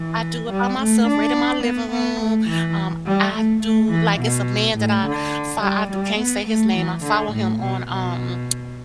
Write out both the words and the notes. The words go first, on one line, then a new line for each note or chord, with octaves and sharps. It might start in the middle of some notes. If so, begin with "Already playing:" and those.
I do it by myself right in my living room. Um, I do like, it's a man that I fo I can't say his name I follow him on, um,
Already playing: E3
G3
A3
D4
B3
B3
A3
E3
G3
A3
A3
E3
B2
A2
D3
G3
G3
B3
A3
E3
D3
A2
B2
B2